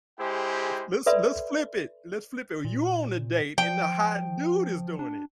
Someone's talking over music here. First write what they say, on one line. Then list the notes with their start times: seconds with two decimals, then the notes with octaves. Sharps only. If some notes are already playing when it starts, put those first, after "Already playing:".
If Let's let's flip it, let's flip it, you on a date and the hot dude is doing it.
0.18 G#3 E4 G4 G#4 C5 G5
1.06 A4 B4 D5 E5 B5 C6
2.65 A#2
3.58 F3 G5
4.99 D4